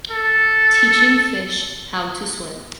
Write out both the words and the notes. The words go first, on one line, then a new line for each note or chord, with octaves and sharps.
Teaching fish how to swim.
A4